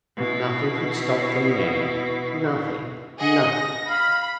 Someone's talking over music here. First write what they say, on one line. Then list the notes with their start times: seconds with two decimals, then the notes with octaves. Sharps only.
Nothing could stop them now, nothing, nothing.
0.17 B2 E4
3.18 G#4 D#5 F#5
3.52 A#6
3.90 F5 B5